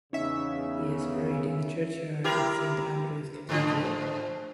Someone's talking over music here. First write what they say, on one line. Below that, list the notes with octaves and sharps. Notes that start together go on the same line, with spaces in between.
He is buried in the churchyard at St Andrews Cathedral.
E2 C#3 C#4 D#4 C#5 E5
E4 G4 A#4
G#2 D3 F3